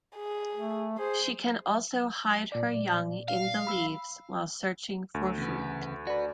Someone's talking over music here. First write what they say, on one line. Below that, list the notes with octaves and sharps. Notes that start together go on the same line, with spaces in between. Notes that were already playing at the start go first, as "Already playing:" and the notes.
She can also hide her young in the leaves while searching for food.
G#4
A3
G#4 C5
A#2 D5
F5
B5 E6
D2
E2 C#3 B3
F#4 B4 D5